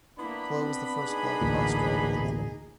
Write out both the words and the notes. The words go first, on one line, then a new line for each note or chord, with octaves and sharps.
Clough was the first Black bus driver in London.
A#3 B3 D4 E4 B5
C4
D#4 G#4
A1 D2 A#2